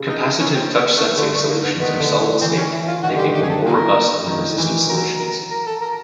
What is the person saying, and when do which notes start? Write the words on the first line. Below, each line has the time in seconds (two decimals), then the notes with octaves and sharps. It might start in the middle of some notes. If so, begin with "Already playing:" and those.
Capacitive touch sensing solutions are solid state, making them more robust than resistive solutions.
Already playing: C#3
0.09 D#4
0.25 D#4
0.40 C#4
0.55 C4
0.77 B3
0.97 A3
1.17 D3 A3
1.33 A3
1.49 A#3
1.64 B3
1.80 D#3 B3
2.00 D3
2.21 D3
2.41 E3 C4
2.57 C#4
2.72 E4
2.88 F4
3.03 D#3 F#4
3.16 D3 G4
3.27 D#3
3.35 G4
3.42 G#4
3.49 A4
3.66 F4 G4 A#4
4.27 D#3
4.58 E3
4.89 F#3 A#4
5.20 A#4
5.51 A#4
5.67 A4
5.82 A#4